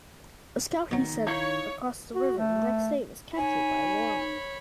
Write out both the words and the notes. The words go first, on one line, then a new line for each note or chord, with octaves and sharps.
A scout he sent across the river the next day was captured by Lorimier.
B2 D#3 F#3
D#4 E4 C#5 F5
F#4
A3
D#4 C#5 G#5 B5